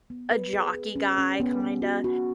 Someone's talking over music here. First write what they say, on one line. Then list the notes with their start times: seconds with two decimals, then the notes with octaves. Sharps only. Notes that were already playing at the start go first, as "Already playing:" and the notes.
a jockey guy kinda,
0.10 B3
0.31 B4
0.53 G#4
0.74 G#4
0.96 C#4
1.18 C#4
1.40 B3
1.60 B3
1.82 F#4
2.04 F#4